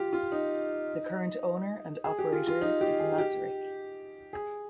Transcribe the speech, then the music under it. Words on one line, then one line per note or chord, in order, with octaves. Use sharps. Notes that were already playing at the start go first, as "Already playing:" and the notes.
The current owner and operator is Macerich.
Already playing: F4 G4
F4
D#4
G#4
G4
F4
F4
D#4
G4
G#4
G4
G#4